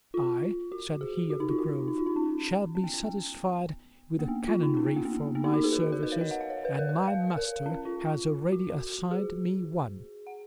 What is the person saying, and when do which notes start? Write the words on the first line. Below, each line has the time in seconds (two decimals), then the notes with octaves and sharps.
"I," said he of the Grove, "shall be satisfied with a canonry for my services, and my master has already assigned me one."
0.14 F4
0.72 F#4
1.01 G#4
1.30 F#4
1.40 D#4
1.50 F4
1.58 F#4
1.88 D#4
1.98 F4
2.06 D#4
2.16 C#4
2.75 C#4
2.84 B3
2.94 C#4
3.04 B3
4.19 A#3
4.28 B3
4.48 F4
4.63 D#4
4.77 C#4
4.86 B3
4.96 A#3
5.05 B3
5.35 B3
5.44 D#4
5.54 F#4
5.64 G#4
5.73 A#4
5.80 G#4
5.92 A#4
6.03 B4
6.12 C#5
6.21 D#5
6.31 F#5
6.41 F5
6.50 C#5
6.65 B4
6.79 A#4
6.89 A#4
6.98 B4
7.08 F5
7.37 A#4
7.66 C#4
7.85 F4
8.52 F#4
9.11 G#4
10.27 F#5